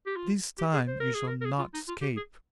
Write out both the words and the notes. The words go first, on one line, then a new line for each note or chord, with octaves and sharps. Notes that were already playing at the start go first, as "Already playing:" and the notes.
This time you shall not escape.
G4
F4
G4
G#4
C5
A#4
G#4
A#4
A#4
G#4
F4
D#4
F4
G4
G#4